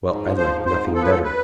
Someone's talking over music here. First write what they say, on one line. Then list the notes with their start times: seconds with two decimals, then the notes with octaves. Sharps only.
Well, I'd like nothing better.
0.08 G#2
0.22 F3
0.37 F3 C5
0.52 G#2
0.65 G#2 C5
0.80 F3
0.94 F3 A4
1.02 B4
1.08 G#2 A4
1.24 B4